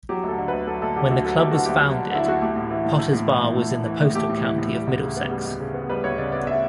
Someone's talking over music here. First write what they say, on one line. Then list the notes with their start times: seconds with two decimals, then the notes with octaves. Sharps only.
When the club was founded, Potters Bar was in the postal county of Middlesex.
0.09 F#3 G4
0.23 D2 A4
0.38 D3
0.48 B4
0.53 D2
0.67 F#3 A4
0.82 D2 A4
0.96 D3 G4
1.10 D2 F#4
1.25 F#3 A4
1.39 D2 G4
1.51 D3 F#4
1.65 D2 G4
1.83 F#3
1.98 D2
2.12 D3 E4
2.26 D2 F#4
2.42 A3 G4
2.56 A2
2.71 E3
2.85 A2
2.99 A3
3.13 A2
3.28 E3
3.43 A2
3.57 A3
3.72 A2
3.86 E3
4.01 A2
4.15 A3 G4
4.30 A2
4.44 E3
4.58 A2
4.74 G3
4.87 D2
5.02 C#3
5.16 B3
5.31 G3
5.45 D2
5.60 C#3
5.74 B3
5.89 G3 B4
6.04 D2 C#5
6.18 C#3 D5
6.32 B3 D5
6.47 G3 E5